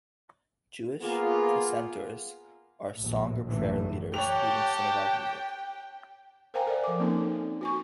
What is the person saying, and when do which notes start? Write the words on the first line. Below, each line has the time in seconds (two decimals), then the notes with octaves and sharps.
Jewish precentors are song or prayer leaders, leading Synagogue music.
1.02 A#3 B3 F4 G#4
2.98 A#1 D#2 A2
3.48 A1 F#2 A2 D3 E3 A3
4.14 G4 C#5 F#5 G5 A5 F7
6.54 A#4 C5 F5 G5 G#5 A#5
6.67 A4 A#4 C5 D5 E5
6.84 F3 D6
7.00 A#3 C4 C#4 D#4 A4
7.61 F#4 G#5 C#6